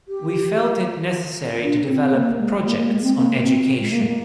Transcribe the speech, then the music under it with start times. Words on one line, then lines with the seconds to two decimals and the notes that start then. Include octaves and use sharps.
We felt it necessary to develop projects on education.
0.08 G4
1.62 D4
1.88 C4
2.13 A#3
2.39 G#3
2.64 A#3
2.77 A#3
2.90 G#3
3.03 C4
3.16 A#3
3.41 C4
3.80 G#3
3.92 A#3
4.01 G#3
4.06 A#3